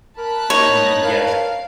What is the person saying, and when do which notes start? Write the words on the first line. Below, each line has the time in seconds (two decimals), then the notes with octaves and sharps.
Mm, yes.
0.18 A#4 A5 B5 F#6
0.50 A#3 D#4 C#5
1.03 A#4 F5